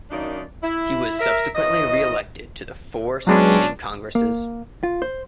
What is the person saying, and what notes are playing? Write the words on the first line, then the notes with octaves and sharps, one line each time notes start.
He was subsequently reelected to the four succeeding Congresses.
F#2 D#3 A#3 D4 D#4 D5
E4
A#4 E5
D#3 E3 C#4 D#5
F#3 G#3 B3 C#4 D4
A#3
F4
C5